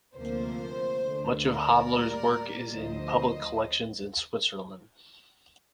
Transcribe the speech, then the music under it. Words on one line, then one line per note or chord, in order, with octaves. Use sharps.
Much of Hodler's work is in public collections in Switzerland.
D2 C3 F3 A#3 C5
D2 D3 A3
A#4 D5
A2 G3 A#3
D2 D3 F3 C5 D#5